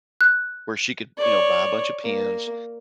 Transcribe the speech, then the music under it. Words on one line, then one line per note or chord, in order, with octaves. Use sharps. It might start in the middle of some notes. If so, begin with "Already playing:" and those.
where she could, you know, buy a bunch of pins.
F#6
C#5 D5
A#3